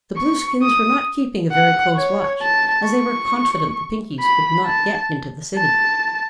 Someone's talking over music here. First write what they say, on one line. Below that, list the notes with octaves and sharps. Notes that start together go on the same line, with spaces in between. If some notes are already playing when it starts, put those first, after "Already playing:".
The Blueskins were not keeping a very close watch, as they were confident the Pinkies could not get into the City.
C#6
D#6
F#5
C#5
A5
C#6
B5
A5
A5